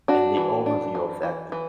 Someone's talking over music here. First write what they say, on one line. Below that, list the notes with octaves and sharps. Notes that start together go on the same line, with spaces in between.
And the overview effect
D4 F#4
E3
D4
E3
E3
E3